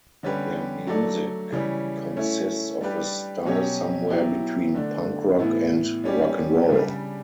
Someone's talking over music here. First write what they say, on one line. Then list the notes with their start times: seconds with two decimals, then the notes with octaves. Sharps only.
Their music consists of a style somewhere between punk rock and rock n' roll.
0.23 D3 G3 C#4 G4 B4
0.87 F#3 A3 D4 A4 D5
1.52 C#3 E3 G3 C#4
2.17 A3 C#4 E4
2.81 G3 D4 G4 B4
3.45 B2 F#3 C#4 G4 C#5
4.10 F#3 B3 E4 G4
4.75 D3 A3 D4
5.39 A2 E3 B3 E4
6.04 G3 C#4 G4 D5
6.69 C#3 G3 D4